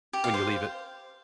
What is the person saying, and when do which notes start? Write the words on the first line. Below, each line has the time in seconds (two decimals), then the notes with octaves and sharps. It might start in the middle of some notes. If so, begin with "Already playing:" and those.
when you leave it
0.13 G4
0.24 F5
0.34 C5